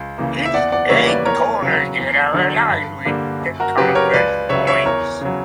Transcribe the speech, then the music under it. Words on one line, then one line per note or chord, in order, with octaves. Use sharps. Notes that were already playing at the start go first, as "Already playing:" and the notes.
Its eight corners are aligned with the compass points.
Already playing: C#2
C#3 E3 A#3
E5
E2 D5 F#5
D5 F#5
C#3 E3 G3 A#3 C#5 E5
B4 D5
E2 A#4 C#5
C#3 F#3
E2
D3 F#3
G2
D3 G3 A#3
F#2
F#4 A#4
C#3 F#3 G4 B4
A#4 C#5
C#2 B4 D5
C#3 F#3 C#5 E5
C#5 E5
E2 A#4 C#5
C#3 F#3